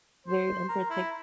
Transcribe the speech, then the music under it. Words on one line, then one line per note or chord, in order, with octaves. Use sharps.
very unpretic
C5
A#4
E4